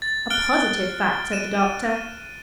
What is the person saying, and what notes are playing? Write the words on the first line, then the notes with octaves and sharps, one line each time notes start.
"A positive fact," said the Doctor.
A6
F6 F#6 D7 G7
D#7 E7